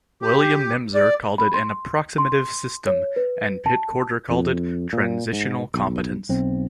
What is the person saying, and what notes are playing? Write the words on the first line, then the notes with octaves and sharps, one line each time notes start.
William Nemser called it an "approximative system" and Pit Corder called it "transitional competence".
G4
D5
B5
C6
C6
C#5
B4
A5
F2
A#2
G#2
B1
B1 C4